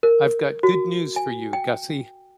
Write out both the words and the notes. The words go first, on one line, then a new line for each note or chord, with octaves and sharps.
I've got good news for you, Gussie.
A#4
F#4
G#5
G5